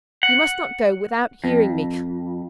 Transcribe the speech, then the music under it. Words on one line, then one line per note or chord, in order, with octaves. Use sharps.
You must not go without hearing me.
F#5
F2